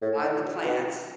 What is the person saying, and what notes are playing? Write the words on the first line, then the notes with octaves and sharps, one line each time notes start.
on the plants,
A2
D3
B2